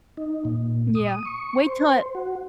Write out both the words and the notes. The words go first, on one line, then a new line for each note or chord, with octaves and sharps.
Yeah, wait till it
D#4
A#2
D#6
C#6
C5
F#4